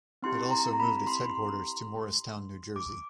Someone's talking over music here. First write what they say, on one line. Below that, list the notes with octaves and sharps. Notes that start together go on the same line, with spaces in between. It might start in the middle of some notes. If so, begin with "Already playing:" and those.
It also moved its headquarters to Morristown, New Jersey.
C4 E4 G4 C6
A#5
A#5
B5
C6
D6